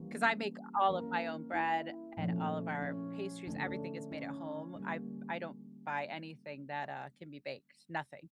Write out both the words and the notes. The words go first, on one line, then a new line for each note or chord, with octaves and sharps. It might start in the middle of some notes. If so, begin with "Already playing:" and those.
'cause I make all of my own bread and all of our pastries- everything is made at home. I I don't buy anything that, uh, can be baked, nothing,
Already playing: E3 G3 A#3 C#4
E3 A#3 C#4 A#4
E4
A#2 F3 A3 C#4
C#4
D3 A3 C#4 D4
C#4
D3 G3 A#3